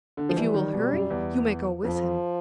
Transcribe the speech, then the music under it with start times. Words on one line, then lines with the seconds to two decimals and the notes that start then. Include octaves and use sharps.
If you will hurry, you may go with him!
0.17 D3
0.29 F3
0.36 E3 G3
0.54 D#3
0.74 B2
0.91 F#2
1.10 E2
1.84 F2 F3